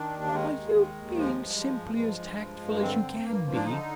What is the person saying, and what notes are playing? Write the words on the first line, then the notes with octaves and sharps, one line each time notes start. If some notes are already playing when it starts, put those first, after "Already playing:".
"Are you being simply as tactful as you can be?"
Already playing: D#3 D4
D#2
A#3
D#3 G#3
D#2
D#3
D#2
F3 G#3
G2
F3
G2
F3
G2
F3
G2
A#3
D3 C4
G2
G2 A#3
F3
D4
D3 D#4